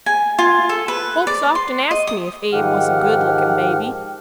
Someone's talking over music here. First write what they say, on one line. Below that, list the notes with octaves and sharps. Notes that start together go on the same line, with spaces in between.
Folks often ask me if Abe was a good lookin' baby.
G#5
F4
A4
B4
D5
C6
D#5
D#6
G#2 D#3 F3 G4 F#5 F6